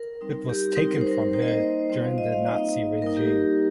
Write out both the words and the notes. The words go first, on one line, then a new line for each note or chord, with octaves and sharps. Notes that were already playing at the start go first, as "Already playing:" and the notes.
It was taken from her during the Nazi regime.
Already playing: A#4
G3 C4 D#4
G4
G3 C4 D#4 A#4
A#4
C5
A#4
A#3 D#4 C5
D#5
C5
G3 C4 F4 C5
F5
D#5
F5
A#3 D#4 D#5
G3 A#3 D#4 A#4
G4